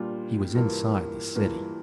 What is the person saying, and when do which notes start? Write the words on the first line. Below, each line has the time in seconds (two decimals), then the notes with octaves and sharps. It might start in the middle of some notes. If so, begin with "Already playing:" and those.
He was inside the city.
Already playing: A#2 G3 D4 F4
0.55 G2 E3 A#3 F4 A#4
1.35 G2 E3 A#3 F4 A#4